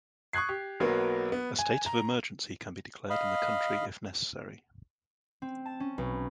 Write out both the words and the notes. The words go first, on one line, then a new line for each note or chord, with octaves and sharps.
A state of emergency can be declared in the country if necessary.
C#6 D#6 F#6 G#6 C7
G4
B1 F#3 A#3 B3 A#4 B4
B3
G#5
A#5
D#5 F5 B5
C4
A5
C#4
B1